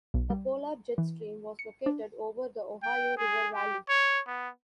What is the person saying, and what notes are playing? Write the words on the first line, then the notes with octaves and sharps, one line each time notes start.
A polar jet stream was located over the Ohio River valley.
B1
G3
E3
C#7
D4
G5
G#4
G4
C#5
B3